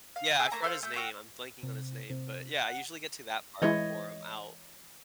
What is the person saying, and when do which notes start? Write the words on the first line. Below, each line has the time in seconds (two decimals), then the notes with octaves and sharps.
Yeah, I forgot his name. I'm blanking on his name. But, yeah, I usually get to that part before I'm out.
0.16 F5
0.39 G#4 G#5 E6
0.52 A3 A#3 A#5
0.64 A4 C5 F5 F6
0.83 A3 E6 G6
0.95 F#4 G5 E6 F6
1.63 C3
2.10 C3
2.64 F#5
3.62 E3 G#3 E4 C#5 D#5